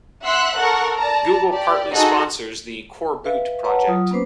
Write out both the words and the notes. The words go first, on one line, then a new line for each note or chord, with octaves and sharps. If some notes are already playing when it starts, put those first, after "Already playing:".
Google partly sponsors the coreboot project.
E5 F#5 C6 E6 F#6
A4 A#4 F#5 C#6
D5 A5 A#5
G4 D5
D#4 F#4 G#4 A4 D#5
B4 E5 F5
B4 C#5 F#5 A5 A#5
F#3 F4 D#6
A#3 B3 C#4 B4 C5 D6